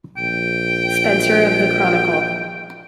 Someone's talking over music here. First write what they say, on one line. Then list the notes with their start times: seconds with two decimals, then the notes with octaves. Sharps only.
Spencer of the Chronicle.
0.17 A#1 G5